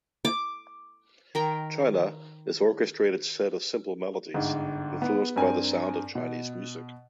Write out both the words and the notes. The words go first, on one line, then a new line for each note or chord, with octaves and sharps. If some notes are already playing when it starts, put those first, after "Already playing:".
"China" is orchestrated set of simple melodies influenced by the sound of Chinese music.
D6
D#3 A#4 G5
G1 G#2
B3
G2 C4 A#4 G#5
B2